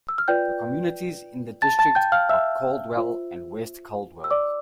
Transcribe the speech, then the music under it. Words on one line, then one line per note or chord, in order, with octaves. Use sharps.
The communities in the district are Caldwell and West Caldwell.
E6
F6
F4 B4 D5 G5 G6
A5 A6
A5 A6
G5 G6
F5 F6
E5 E6
F4 C5
E6
D5 D6